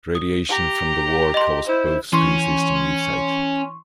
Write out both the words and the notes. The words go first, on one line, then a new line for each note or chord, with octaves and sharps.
Radiation from the war caused both species to mutate.
D#6
G4 A#5
D#5 C6
E4 C5
E3 C#4 C6 C#6